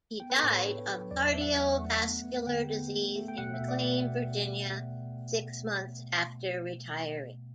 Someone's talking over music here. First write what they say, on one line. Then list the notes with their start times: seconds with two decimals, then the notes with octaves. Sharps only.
He died of cardiovascular disease in McLean, Virginia six months after retiring.
0.20 B3 G5
0.30 B4
0.36 A4
0.43 A2
0.51 C#5
0.65 D4
0.89 F#3
1.11 E2 D5
1.27 E5
1.34 D4
1.41 F#5
1.57 E2
1.79 A3
2.02 B3
2.24 B3
2.47 D3 G5
2.70 B3
2.92 A3
3.16 A3
3.28 G5
3.38 B2 F#5
3.54 E5
3.61 B2
3.68 D5